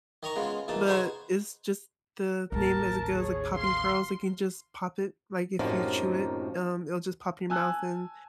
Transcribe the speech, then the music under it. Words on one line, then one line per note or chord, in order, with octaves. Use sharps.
but it's just the name as it goes, like popping pearls. You can just pop it, like, if you chew it, um, it'll just pop in your mouth, and
D#3 D#5 A#5 C#6
C#3 G#3 B3 F4
E2 A#2 D#4 A5
D#4 G#4 B4 C5 F#5 C#6
A1 D#2 A#4 A5
G#4 C#5
F5 C6
F#2 A2 C3 F3 A#3 D#4
G#5 A5 E6 F#6